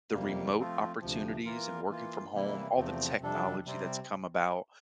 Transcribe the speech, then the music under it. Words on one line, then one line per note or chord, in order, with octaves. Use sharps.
the remote opportunities and working from home, all the technology that's come about,
F2 C3 G3 A#3
F3 A3 C4 F4
D2 C3 F3
E3 A#3 F4 A#4
E3 A#3 F4
C3 E3 G3 A#3 E4
E2 C3 F3 A3 C4
F2 C3 G3 D4 A4
C3 G3 C4